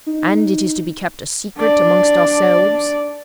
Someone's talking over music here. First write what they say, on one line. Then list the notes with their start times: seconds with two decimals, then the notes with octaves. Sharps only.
"And it is to be kept a secret amongst ourselves?"
0.06 D#4
1.57 D4 D5